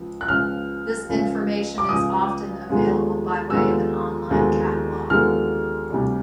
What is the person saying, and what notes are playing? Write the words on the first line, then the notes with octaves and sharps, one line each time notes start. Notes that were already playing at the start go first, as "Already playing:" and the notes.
This information is often available by way of an online catalog.
Already playing: C#2 F3
F#6
C#2 C#3 F3 F6
C#2 C#3 F3
D6
C#2 C#3 F3 D#6
D#2 D3 F3 G#3 B3
D#2 D3 F3 G#3 B3 E6
D#2 D3 F3 G#3 B3
D#2 D3 F3 G#3 B3 F6
D2 C3 E3 G3